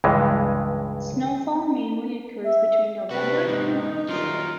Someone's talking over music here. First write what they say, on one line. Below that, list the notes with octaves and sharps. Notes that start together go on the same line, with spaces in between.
Snowfall mainly occurs between November and March.
C#2 G2 E3 G#3
E5
C3 D4 F#4 B4
E2 G#2 D#4
D#1 F#3 F4 A#4